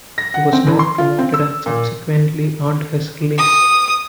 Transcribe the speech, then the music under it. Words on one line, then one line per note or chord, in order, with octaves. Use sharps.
He was not promoted and subsequently earned his release.
A#6
F#5
C4
E3
C6
F4
C4
E6
A#2
D#6